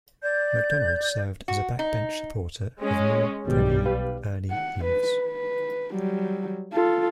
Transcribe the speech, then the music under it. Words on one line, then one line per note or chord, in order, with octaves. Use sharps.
McDonald served as a backbench supporter of new Premier Ernie Eves.
D5 G6
F#4
D#4
G#3 C#4
B1 G#2 B2 D#3 G3
G4 B4 F5
F#5
B4
B4
F#3 G3
F4 A4